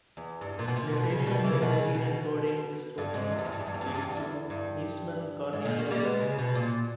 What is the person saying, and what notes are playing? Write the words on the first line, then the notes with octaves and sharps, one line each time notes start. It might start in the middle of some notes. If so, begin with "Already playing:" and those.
Mutations in the gene encoding this protein lead to Meesmann corneal dystrophy.
E2
G2
A#2
B2
A#2
B2
C#3
B2 D#3
C#3 E3
B2 D#3
C#3
B2
G2
G#2
E2
G2
E2
G2
E2
G2
E2
G2
E2
G2
E2
G2
E2
G2
G#2
A#2
D#3 G3
G3 A#3
G#3 B3
C#3
B2
A#2